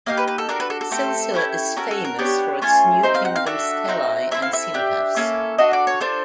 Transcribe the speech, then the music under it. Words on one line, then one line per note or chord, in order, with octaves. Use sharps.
Silsila is famous for its New Kingdom stelai and cenotaphs.
A#3 D#4 G4 F5
B4
B4
A4
D4 F#4 A4 A#4
B4
A4
A4
A3 C4 G4 A4
C#4 E4 G4
C#4 F#4 A4 A#4
A4
A#4
B3 D4 G4 C#5
A3 C#4 F4 G#4
C4 D#4 G4 C5
F5
F#5
F5
D4 F#4 A4 E5
C4 D#4 F#4
C4 E4 A4 E5
F5
E5
D4 G4
A#3 C#4 E4 A4
D4 F#4 A4 D#5
D5
C#5
D4 F4 A4 C5